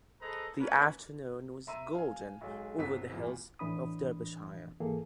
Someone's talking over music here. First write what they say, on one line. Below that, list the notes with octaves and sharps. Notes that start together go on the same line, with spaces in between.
The afternoon was golden over the hills of Derbyshire.
G#4 A4 B4 C5 D#5 A#5
A#3 C#4 A#4 B4
E5 A#5 C6 E6 D#7
F5 G#5
B1 G#3
G1 C2 B3 C4 C5 B6
E2 G2 A#2 E3
A2 E3 D4 B5 D#6
G#2 E3 A#3 G#4 A4